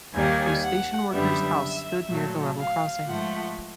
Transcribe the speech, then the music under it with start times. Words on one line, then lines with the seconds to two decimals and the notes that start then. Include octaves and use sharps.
A station workers house stood near the level crossing.
0.13 D#2 D#3 G3 A#3 G#5
0.62 F#5
1.11 F#2 D3 G3 B3 E5
2.08 A#2 F#3 A3
2.57 F5
3.06 G#2 F3 A3 F#5